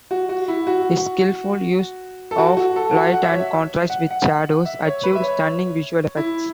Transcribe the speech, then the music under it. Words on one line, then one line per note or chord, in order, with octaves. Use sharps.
His skilful use of light and contrast with shadows achieved stunning visual effects.
F#4
F#4
E4
F#4
A4
F#4
F#4
A4
F#4
F#5
E5
C#5
E5
F#5
F#5
E5
C#5
B4
E5
C#5
E4